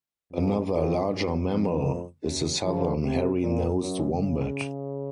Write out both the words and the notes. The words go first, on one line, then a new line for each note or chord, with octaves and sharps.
Another larger mammal is the southern hairy-nosed wombat.
F2
F2
F#2
F2
F#2
C#3 F3
C3
A#2
F#2
C#3